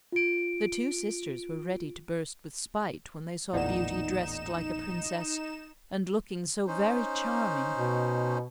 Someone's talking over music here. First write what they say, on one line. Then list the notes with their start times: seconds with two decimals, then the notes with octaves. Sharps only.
The two sisters were ready to burst with spite when they saw Beauty dressed like a princess, and looking so very charming.
0.12 F4 D7
3.53 A1 E2 A#2 D#4 E4 D5 F#5 E7
6.67 C#4 D#4 C5
7.78 B2